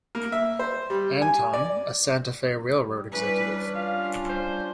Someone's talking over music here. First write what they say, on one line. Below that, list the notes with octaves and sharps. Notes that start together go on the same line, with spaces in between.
Anton, a Santa Fe railroad executive.
A#3
E5
C5
G3
G#5
D5
G3
E3 G3 C#4 D4 B4
G3 F4 F5
C5